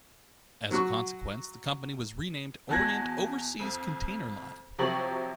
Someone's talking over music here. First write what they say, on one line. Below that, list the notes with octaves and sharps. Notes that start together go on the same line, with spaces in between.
As a consequence the company was renamed Orient Overseas Container Line.
F#3 F#4 C#6
E2 F#4 A5 F#6 G#6 A#6
F2
C3 F3 F#3 G4 C#6 F#7